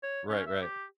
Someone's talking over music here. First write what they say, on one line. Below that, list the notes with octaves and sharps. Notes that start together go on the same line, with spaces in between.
Right, right.
C#5
C#4
E5
G4